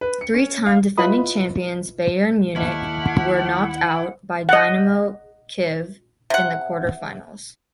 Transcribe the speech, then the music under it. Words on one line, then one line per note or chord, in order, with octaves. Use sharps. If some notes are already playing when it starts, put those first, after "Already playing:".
Three-time defending champions Bayern Munich were knocked out by Dynamo Kyiv in the quarter-finals.
B4
C#7
C#4
F5
E4 F4 B4 D#5 B5 D#6
D#2 A3 E4 F#5 D6 F6
D#5 F#5
C3 E5 F#5